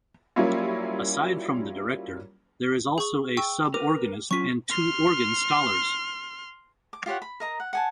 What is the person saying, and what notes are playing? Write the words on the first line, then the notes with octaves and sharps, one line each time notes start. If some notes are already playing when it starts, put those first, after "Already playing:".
Aside from the director, there is also a sub-organist and two organ scholars.
F#3 G3 A#3 C#4 E4 F4
G#4 C#6
G5 C#6 E6
A#4 B4 D6
F#3 C#4 F4 C#6 B6
C6 F6
D6
F4 G4 C#5 F#5
B5
A#4 D#5 A#5
F#5
F#5 G#5 A5